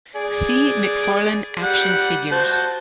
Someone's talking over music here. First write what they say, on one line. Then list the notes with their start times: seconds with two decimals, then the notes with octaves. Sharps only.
See McFarlane Action Figures.
0.16 G#4 D5
1.63 G3 F#5
2.32 F#4 C5 A5